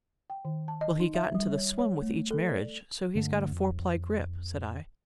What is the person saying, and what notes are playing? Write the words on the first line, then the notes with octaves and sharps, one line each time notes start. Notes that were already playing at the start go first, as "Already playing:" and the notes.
"Well, he got into the swim with each marriage--so he's got a four-ply grip," said I.
G5
D#3
A5
D#5
D#4
E5
G3
C#5
C#5
A3
A4
D5
G2 D3 A3
F2